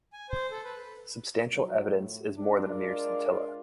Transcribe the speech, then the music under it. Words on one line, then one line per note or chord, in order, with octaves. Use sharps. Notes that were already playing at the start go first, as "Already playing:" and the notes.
Substantial evidence is more than a mere scintilla.
G#5
C5
A4
B4
D#3 F3 F#3
A2
D4
G#3 D4 F4 A#4 D5